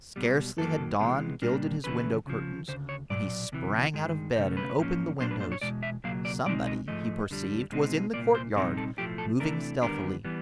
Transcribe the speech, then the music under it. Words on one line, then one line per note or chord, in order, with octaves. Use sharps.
Scarcely had dawn gilded his window curtains when he sprang out of bed and opened the windows. Somebody, he perceived, was in the courtyard, moving stealthily.
B1 B2 G3
F#2 D#3 F#3 A#3 A4
C3 E3 G#3 B3
C2 A#2 G3 A#3 D4 A#4
D#2 C#3 E3 A3 B4
C#2 C#3 F3
D2 C#3 C5
C#5
B1 A#2 F#3 D5
D2 C3 E3
G2 D#3 G#3
D2 C3 A3 C#4 C5
B4
G#2 F3 A#3 C#4
B1 A#2 F#3 A#3 D4 C5
B4
C5
C#5
E2 B2 G#3 D5
E5
C#2 B2 F#3 A#3 F5
D5
B2 G#3 C4 D#4 D5
D#5
G#2 F3 A3 D#5
F2 D3 G3
B2 G#3 C4 D#4
C2 A#2 F#3 A#3 D5
C5
C2 A#2 G3 C4 D#4 A#4
A4
B1 A2 F3 A3 G4
A4
C3 E3 A3 D4 A#4
D#2 D3 G3 B3 D4 A#4
E3 G3 B3